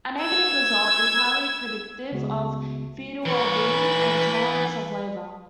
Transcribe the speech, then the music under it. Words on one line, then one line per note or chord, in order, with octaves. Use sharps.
A negative result is highly predictive of fetal wellbeing and tolerance of labor.
E6 G#6
C#2 C#3 G#3 B3 F#4 G#4
E3 B4 C#5